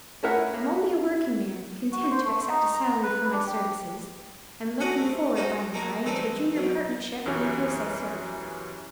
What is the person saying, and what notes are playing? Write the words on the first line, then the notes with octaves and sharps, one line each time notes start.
I am only a working man, content to accept a salary for my services; and looking forward by-and-by to a junior partnership in the house I serve.
A3 C#4 E4 A#4 E5 F#5
F#4
C5
A3
D#4
A#5
B4
D4
G4
A3 F#4 D#5 F#5 G#5
C3 A3
C#4 D#4 F#4 C5
A3 A#3 D#4 A#4
D3 E3 G3 A3 C4 D#4
B1 B2
B1 F#2 E3 C#4 G4 C#5